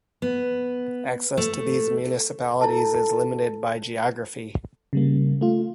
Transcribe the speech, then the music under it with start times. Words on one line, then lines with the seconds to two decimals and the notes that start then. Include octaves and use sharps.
Access to these municipalities is limited by geography.
0.22 B3
1.37 A3
2.61 E4 A4 A5
4.93 C#3 G3 A#3
5.41 A3 F4